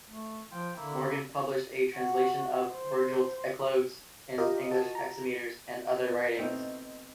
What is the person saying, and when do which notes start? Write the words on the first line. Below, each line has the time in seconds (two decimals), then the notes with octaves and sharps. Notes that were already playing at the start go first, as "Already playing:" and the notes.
Morgan published a translation of Virgil's "Eclogues" in English hexameters, and other writings.
0.07 A3
0.51 F3 F4 G5
0.76 D3 A#3 E4
1.96 F#4
2.73 C5
4.38 F4 G4 A#4 D#5
4.71 F#4 A5
4.95 A#5
6.05 B2 B3
6.37 B2 A3 C4 D#4 E4